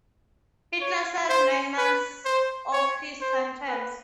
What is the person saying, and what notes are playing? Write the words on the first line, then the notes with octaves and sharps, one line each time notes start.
Hitler served nine months of his sentence.
C#5
C5
B4
C5
C#5
C5
B4